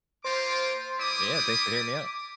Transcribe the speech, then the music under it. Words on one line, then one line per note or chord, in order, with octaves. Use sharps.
Yeah, thanks for hearing me out.
A#3 F4 C5 D6
G3 E4 D6 D#6